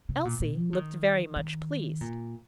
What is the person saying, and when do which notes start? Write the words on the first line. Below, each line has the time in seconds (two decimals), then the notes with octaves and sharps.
Elsie looked very much pleased.
0.09 C3
0.25 A#2
0.40 A#2
0.57 F3
0.73 D#3
1.36 D#3
2.01 A#2